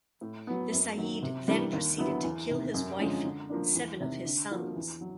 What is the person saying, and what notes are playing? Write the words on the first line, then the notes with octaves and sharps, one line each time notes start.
The Sayyid then proceeded to kill his wife and seven of his sons.
A2
F#3 B3
F#2
D#3 F#3
C3
E3 G3 A#3 D4
D#2
D3 F#3 B3 E4
E2
C3 D#3
F#2
D3 F3 G#3 C#4
D3
F3 A#3 D4
E2
C3 D#3
D3
F3 A#3 D4 F#4
E2
F#3